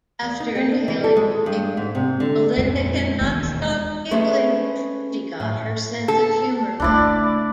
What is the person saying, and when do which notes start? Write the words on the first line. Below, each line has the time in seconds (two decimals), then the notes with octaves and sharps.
After inhaling the vapor, Melinda cannot stop giggling-she got her sense of humor back.
0.22 E2
0.40 D#4
0.56 C4
0.72 D4
0.88 E3
1.04 A4
1.17 G#3
1.46 G2
1.77 G#2
1.95 C3
2.20 D3
2.58 F2 A#2 G#3 C4
3.21 E1 D#2 B2 G#3
4.11 G#3 A3 C#4 G#4 B4
5.40 A2
6.08 A4
6.80 C#3 A3 D4 E4 D5